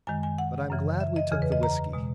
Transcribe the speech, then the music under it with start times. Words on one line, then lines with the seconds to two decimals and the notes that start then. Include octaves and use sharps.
But I'm glad we took the whisky.
0.07 F#2 D#3 G#3 G#5
0.23 G#5
0.38 F#5
0.70 F#2 C#3 E3
1.00 E5
1.16 D#5
1.31 E2 C#3 E3 G#4
1.42 B4
1.52 D#5
1.63 A#5
1.93 B2 G#3